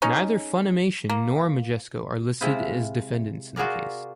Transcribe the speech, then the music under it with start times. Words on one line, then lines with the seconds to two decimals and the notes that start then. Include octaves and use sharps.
Neither Funimation nor Majesco are listed as defendants in the case.
0.02 G#3 C#4 D#4
1.09 A#3
2.41 C3 G#3 E4 F4 C5
3.56 F4 F#4 G#4 A#4 D5